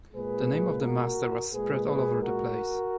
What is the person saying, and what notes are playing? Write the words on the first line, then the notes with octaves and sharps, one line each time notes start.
The name of the master was spread all over the place.
A#2 G#3 G#4 B4
F#4 A#4
A#2 G#3 G#4 B4
G#4 B4
F#4 A#4